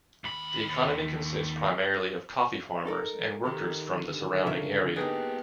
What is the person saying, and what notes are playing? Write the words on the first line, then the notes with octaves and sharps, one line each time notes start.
The economy consists primarily of coffee farmers and workers from the surrounding area.
D#2 B5
D#4 A4 A#4
D#2 G4 A#5
D3
C#3 A#4 E5
A#3 B3 D#4 G4 G#4 B4 D#5 D#6